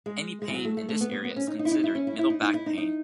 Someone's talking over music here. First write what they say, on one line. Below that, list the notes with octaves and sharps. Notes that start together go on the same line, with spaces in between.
Any pain in this area is considered "middle back pain".
G#3
G#3
E3
F#3
A3
A3
A3
B3
B3
B3
C#4
D#4
D#4
E4
D#4
E4
C#4
E4
E4
D#4
D#4
E4
D#4
D#4